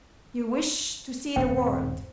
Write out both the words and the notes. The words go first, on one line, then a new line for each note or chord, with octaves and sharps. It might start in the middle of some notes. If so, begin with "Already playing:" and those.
'You wish to see the world.
D#1 G2 B2 C4 C5 G5